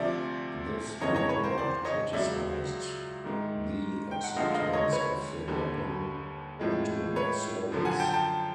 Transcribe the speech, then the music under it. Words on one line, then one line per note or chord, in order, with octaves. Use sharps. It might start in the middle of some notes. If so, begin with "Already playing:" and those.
This report criticised the acceptance of the weapon into service.
Already playing: D2 C3 F3 D5 E5
F2 C#3 E3 C#5 D#5
C#5 D#5
B4 C#5
A#4 C5
C5 D5
C#5 D#5
C#2 C#3 F#3 D5 E5
G#2 D#3 G#3
G5
F#5
D2 D3 F3 G#3 D#5 F5
D#5 F5
C#5 D#5
B4 C#5
D#2 D3 G3
A2 F3 G#3
B4 C#5
F#2 D3 F3
F#5 G#5
G5 A5
G5 A5